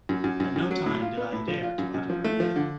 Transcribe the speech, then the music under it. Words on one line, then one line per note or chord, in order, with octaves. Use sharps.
At no time did I dare to utter her name.
F#2
F#2
F#2
F#2
F#3
A2
F4
B3
A2
F3
F4
F#2
F#2
F3
A3
F3
D3